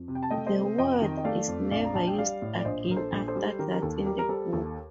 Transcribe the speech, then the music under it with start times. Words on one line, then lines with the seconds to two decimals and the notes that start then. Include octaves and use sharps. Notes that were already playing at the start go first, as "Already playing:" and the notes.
The word is never used again after that in the book.
Already playing: F2
0.08 C3
0.15 G5
0.23 A5
0.30 A3 D#5 G5
0.46 C5 D#5
0.55 C3
0.78 F2 D#5 G5
1.02 D#3
1.17 D#5
1.24 A3 D5 F5
1.48 F2
1.71 A#1 D5 F5
1.84 A#5
1.95 A#1 A5
2.07 G5
2.18 G3 D5 F5
2.42 A2
2.59 D5
2.65 A#1 C5 D#5
2.89 A#1 A#4
2.96 A4 C5
3.12 A#1
3.28 A4 C5
3.36 G3
3.59 D#3 G4 A#4
3.71 A#4
3.82 D#2 A4
4.06 G3 G4 A#4
4.19 A#4
4.29 G3 A4 C5
4.53 D#2 A4